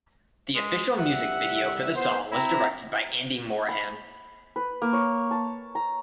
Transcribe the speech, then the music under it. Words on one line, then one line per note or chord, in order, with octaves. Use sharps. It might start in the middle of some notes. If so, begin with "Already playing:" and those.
The official music video for the song was directed by Andy Morahan.
G#3
C2 G3 E5 F#5
B3 C5
C4 E4 A#5
B5
B4
A#3
C#5
A5
A#5